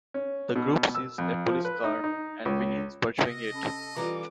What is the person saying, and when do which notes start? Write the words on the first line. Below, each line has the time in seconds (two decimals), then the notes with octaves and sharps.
The group sees a police car and begins pursuing it.
0.14 C#4
0.56 B2
0.95 E6
1.18 F2
1.46 F3
1.65 B4
1.84 D#4
2.04 D#4
2.45 C#2
3.18 C3 D#5
3.54 C#4 A4 B5
3.96 E3 G3 F4 A4 B4 A#5 D6